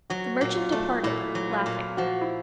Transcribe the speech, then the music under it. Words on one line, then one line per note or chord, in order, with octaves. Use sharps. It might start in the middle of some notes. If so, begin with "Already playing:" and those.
The merchant departed, laughing.
F#3 F#4
A#2
F4
A3
A#2 E4
F#3
F4
A#2
F3 F#4
E4